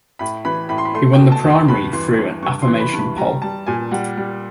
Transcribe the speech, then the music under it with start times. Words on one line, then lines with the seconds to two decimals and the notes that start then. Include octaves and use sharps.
He won the primary through an affirmation poll.
0.19 A2 B5
0.45 E3 B5
0.69 A2 B5
0.78 C6
0.85 B5
0.95 A3 C6
1.13 G5
1.19 B2
1.32 A5
1.44 E2
1.50 C6
1.68 G2 B5
1.93 E3 C6
2.19 G2
2.42 G2 C#6
2.62 C6
2.68 E3
2.80 B5
2.93 G2
2.99 B5
3.17 G3 A#5
3.42 G3 A5
3.67 A#2 G#5
3.91 G3 F#5
4.17 G3